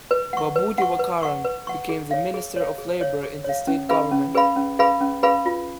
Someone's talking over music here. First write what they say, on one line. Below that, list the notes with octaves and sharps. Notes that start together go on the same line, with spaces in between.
Babu Divakaran became the Minister of Labour in the state government.
B4
F#5 C#6
B4
F#5 C#6
B4
F#5 C#6
B4
F#5 C#6
G#4
C#5 F5
G#4
C#5 F5
G#4
C#5 F5
G#4
C#5 F5
C#4
G#4 B4 F5 B5
C#4
G#4 B4 F5 B5
C#4
G#4 B4 F5 B5
C#4
G#4 B4 F5 B5
F4